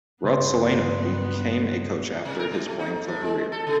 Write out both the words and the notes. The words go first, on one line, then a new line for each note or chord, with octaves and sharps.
Ruotsalainen became a coach after his playing career.
G2 C#3 B3 B4 C6
C3
A#4
A#2
A3
D#4
A2
G#3
A4
C#3